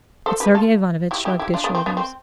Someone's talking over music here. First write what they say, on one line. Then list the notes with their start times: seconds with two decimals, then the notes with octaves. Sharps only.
But Sergey Ivanovitch shrugged his shoulders.
0.26 A4 C5
0.40 G4 B4
0.55 F4 A4
1.11 E4 G4
1.25 E4 G4
1.39 E4 G4
1.54 D4 F4
1.64 B3 D4
1.75 C4
1.86 B3 D4
1.97 C4